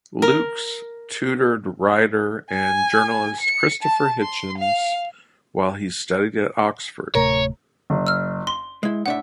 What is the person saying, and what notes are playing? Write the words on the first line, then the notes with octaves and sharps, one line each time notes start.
Lukes tutored writer and journalist Christopher Hitchens while he studied at Oxford.
A#4
G#5
C#7
A5
C6
F5
D1 C3 A3 A#4 C#5
F#1
E6 F6
C6 G7
G#3 E4
A2 D4 E5 F#5